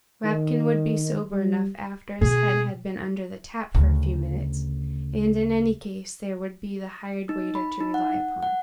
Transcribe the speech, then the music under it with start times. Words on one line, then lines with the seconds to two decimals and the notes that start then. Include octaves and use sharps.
Rapkin would be sober enough after his head had been under the tap for a few minutes, and in any case there would be the hired waiter to rely upon.
0.25 D#3
1.31 G3
2.21 B2 G#4
3.75 D2 C#3
7.29 D#4
7.55 B5
7.80 D#4
7.94 F#5
8.43 F#5